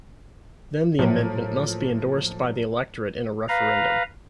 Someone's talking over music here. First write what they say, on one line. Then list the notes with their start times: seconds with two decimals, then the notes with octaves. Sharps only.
Then the amendment must be endorsed by the electorate in a referendum.
0.99 A2 F3 F#3 A#3
3.48 B4 F5 A#5